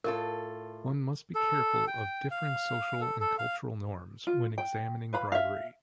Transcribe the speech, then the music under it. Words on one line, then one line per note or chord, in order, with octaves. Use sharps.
One must be careful of differing social and cultural norms when examining bribery.
A2 F4 A4 A#4
A4
G5
F5
A4
A4
F5
F4
G5
B4 F5 B5
E5 F5